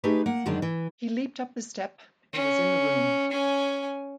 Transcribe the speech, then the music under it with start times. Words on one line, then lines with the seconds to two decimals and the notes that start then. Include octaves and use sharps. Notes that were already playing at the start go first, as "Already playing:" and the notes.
He leaped up the step and was in the room.
0.04 A3 D#4 G4 G#4 B4
0.26 A#3 F#5
0.46 F#2 D3 D#3 G#3 D4
0.62 E3
2.33 C#4
3.31 C#4 G#5